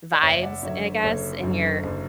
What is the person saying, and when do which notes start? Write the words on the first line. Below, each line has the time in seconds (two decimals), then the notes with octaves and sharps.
vibes, I guess, in your
0.13 D5
0.22 F#1 C#5 E5
0.42 D5 F#5
0.63 F#2 D3 C#5 E5
0.97 B4
1.03 F#1 A4 C#5
1.43 F#2 D3
1.83 F#1